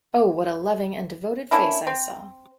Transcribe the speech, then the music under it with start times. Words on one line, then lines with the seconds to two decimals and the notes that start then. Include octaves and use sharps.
Oh, what a loving and devoted face I saw!
1.51 A#3 C#4 D4 E4
1.87 C4